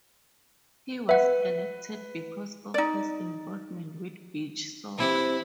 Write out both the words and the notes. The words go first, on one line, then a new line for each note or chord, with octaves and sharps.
He was elected because of his involvement with beach soccer.
B4 E5 F#5
D#4 D5
E3 C4 E4 G4